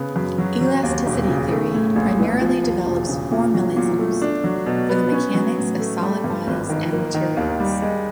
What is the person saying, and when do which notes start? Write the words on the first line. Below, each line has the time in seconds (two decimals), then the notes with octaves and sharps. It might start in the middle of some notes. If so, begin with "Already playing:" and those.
Elasticity theory primarily develops formalisms for the mechanics of solid bodies and materials.
Already playing: C#3 B3
0.16 F#2
0.38 F#3
0.61 F#3
0.83 D#2
1.06 E1
1.28 C#3
1.51 A3
1.74 A2
1.96 A#1
2.19 E3
2.41 F3
2.63 D#2
2.86 E1
3.09 C#3
3.31 A#2
3.54 F#3
3.77 A#2
3.99 A3
4.22 D4
4.44 F#3
4.66 B2
4.89 B3
5.12 C#4
5.34 F#3
5.57 A2
5.79 A3
6.02 G3
6.24 G2
6.47 G#1
6.69 D#3
6.92 A#3
7.14 D#3
7.37 D#2
7.60 G3
7.82 G#3